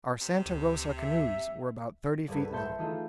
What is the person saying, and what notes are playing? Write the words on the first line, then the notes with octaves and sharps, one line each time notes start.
Our Santa Rosa canoes were about thirty feet long.
C3
D2
E5
C2 G2 G#4 A4 B4 G#6
E5 A5 C6 G6 G#6 C#7
E3 A3 D#4 F4 G#4 A4